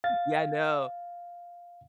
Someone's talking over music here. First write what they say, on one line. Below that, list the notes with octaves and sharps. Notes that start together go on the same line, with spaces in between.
Yeah, no.
F5 A6